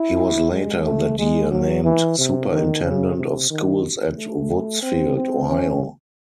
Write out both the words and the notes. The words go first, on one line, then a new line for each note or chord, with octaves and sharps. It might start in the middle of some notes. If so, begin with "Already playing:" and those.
He was later that year named superintendent of schools at Woodsfield, Ohio.
Already playing: E4
G#3
A3
G#3
F#3
E3
C3
D#3
C#3
C3
D#3
A3
C4
C4
C#4